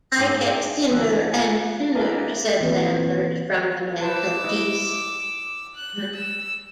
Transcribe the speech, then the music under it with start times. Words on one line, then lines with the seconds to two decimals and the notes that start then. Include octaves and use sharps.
"I get thinner and thinner," said Lambert from the mantelpiece.
0.16 G#2 D6 C7
0.39 D4 G#4 G5 D7 D#7 F#7
0.90 D2 E3 E6 F#6
1.32 F4 G#5
1.95 A#3 E4 G#4 A#4 B4
2.61 E3 A#3 C4 B4
4.01 B4 C5 A5 D6 E6
4.44 E4 D#5
5.76 F#6
6.14 E6